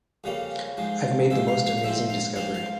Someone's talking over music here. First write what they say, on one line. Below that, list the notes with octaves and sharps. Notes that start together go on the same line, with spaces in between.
I've made the most amazing discovery!
F2 C#3 G3 A#3 C#4
G#2 F3 G#3
G#2 F3 G#3 E5
F5
F5
F5
G#2 F3 C4 E5
F5
G#2 F3 C4 F5
F5